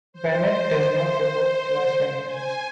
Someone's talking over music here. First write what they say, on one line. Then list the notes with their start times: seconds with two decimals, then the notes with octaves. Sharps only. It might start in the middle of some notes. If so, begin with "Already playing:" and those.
Benet does not report class rankings.
0.13 C5
2.24 G#5